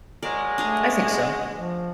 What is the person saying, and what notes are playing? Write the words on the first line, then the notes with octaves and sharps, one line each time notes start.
I think so.
F#3 G#3 A#4 D5
A3 D4 G#4 A#5
F3